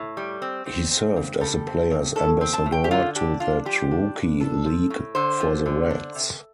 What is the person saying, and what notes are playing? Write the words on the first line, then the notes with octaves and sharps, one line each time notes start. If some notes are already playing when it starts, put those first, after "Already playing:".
He served as the Players Ambassador to that Rookie League for the Reds.
Already playing: A2
G3
C4
C4
C4
G2
G3 A4
C4
G2
A2 A4
C4
A5
A2
G5
G4
D3 F4
D4 G4
D4 F4
F3 G4
D4
G2
D4 A4
F3
A2
D3 C5
F3
D3
D4
C3